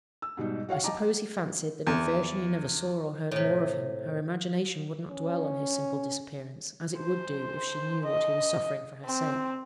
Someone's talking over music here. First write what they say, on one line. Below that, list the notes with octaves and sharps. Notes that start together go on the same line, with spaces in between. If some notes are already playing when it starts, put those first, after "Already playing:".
I suppose he fancied that, if Virginie never saw or heard more of him, her imagination would not dwell on his simple disappearance, as it would do if she knew what he was suffering for her sake.
E6
G#2 B2 G3 D#4
F#4 C#5 F5 F#5
D#5 G5 A5 A#5 D6
E2
A2 C3
C#4
C5
D#5
C4